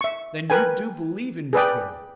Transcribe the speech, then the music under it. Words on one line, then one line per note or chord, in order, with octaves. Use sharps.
"Then you do believe in me, Colonel?"
E5 C#6
A#4 B4 G5 G#5
G#4 B4 D5 G5